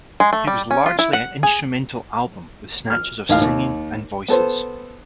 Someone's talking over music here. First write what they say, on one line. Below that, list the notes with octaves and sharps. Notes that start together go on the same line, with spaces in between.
It was largely an instrumental album with snatches of singing and voices.
G#3
A3
G3
C#4
F4
E4
F#5
G#4
F6
D#2 A2 F5
D#2
B3 A4 C5